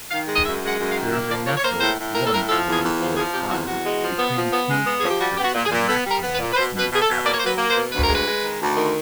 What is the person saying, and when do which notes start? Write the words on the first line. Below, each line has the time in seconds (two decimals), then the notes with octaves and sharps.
There is a natural one-to-one correspondence between smooth structures and maximal smooth atlases.
0.11 D#3 F5
0.28 G#3
0.36 D#5
0.45 F#2 E5
0.62 G#3 F#5
0.79 F#2
0.90 F5
0.96 D#3
1.13 A#3 E5
1.30 F3 D5
1.47 A#3 C#5
1.57 C#5
1.64 A#3 C5
1.81 A2 C5
1.98 A2
2.15 A#3 A#4
2.25 A4
2.32 A2 A#4
2.49 F3 A4
2.66 E2
2.72 G#4
2.83 E2 A4
3.00 F3
3.17 F3 G#4
3.33 C3 G4
3.51 E2 F#4
3.68 E2 F#4
3.85 G#3
4.01 F3
4.19 B3
4.35 F3
4.53 B3
4.70 G#3
4.87 B3
5.00 F3 G#4
5.10 G4
5.20 G3 F#4
5.37 B3 G4
5.44 F#4
5.54 A#2
5.65 G#4
5.71 A#2
5.88 B3 A4
6.06 G3
6.11 A#4
6.22 B3
6.34 B4
6.39 A#2
6.53 B4
6.56 B2 C5
6.73 B2
6.79 B4
6.90 B2
6.95 G#4
7.02 A4
7.07 B2
7.24 A#3 D5
7.33 C#5
7.40 F#3 C5
7.47 B4
7.58 A#3
7.70 C5
7.75 B2
7.92 D2 B4
8.04 A#4
8.09 G#3
8.15 B4
8.26 G#3
8.43 D#3
8.60 D2
8.77 D#3